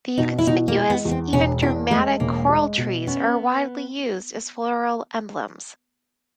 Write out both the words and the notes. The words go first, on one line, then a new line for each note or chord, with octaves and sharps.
The conspicuous, even dramatic coral trees are widely used as floral emblems.
B2 D#4
E4
B2 D#4
A#3
G#3
B3
E2
C4
E1 C#4
E2 D4
G#3 A3
E1 A#3
G#3
B2
B3 C#4